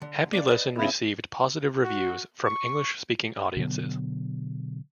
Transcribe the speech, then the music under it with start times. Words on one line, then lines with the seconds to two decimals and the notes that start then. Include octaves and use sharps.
Happy Lesson received positive reviews from English speaking audiences.
0.02 D3
0.33 F2 D4 D5
0.47 B4 D5 D#5
0.78 C#3 B3 E4
1.84 F#4
2.45 C#6
3.57 B2 D3 F#3 B3